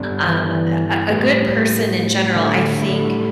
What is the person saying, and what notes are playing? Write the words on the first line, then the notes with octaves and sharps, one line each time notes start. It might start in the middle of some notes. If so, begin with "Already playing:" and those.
Um, a a good person in general, I think,
Already playing: G2 D3 B3 G4 D5
E3
A2 G3 B3
D3
A2 G3 E4